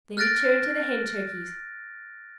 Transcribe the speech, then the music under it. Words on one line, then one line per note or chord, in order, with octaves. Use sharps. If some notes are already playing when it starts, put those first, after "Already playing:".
Then he turned to the Hen Turkeys.
F6 F#6 A6 A#6 D7